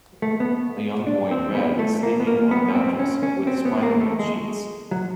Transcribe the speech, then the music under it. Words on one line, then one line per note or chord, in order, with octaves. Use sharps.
A young boy in red is sleeping on a mattress with spiderman sheets.
A3
B3
D4
C4
B3
A3
A#3
B3
A#3
B3
C#4
C4
C#4
C#4
C4
B3
A#3
A3
G#3
F#3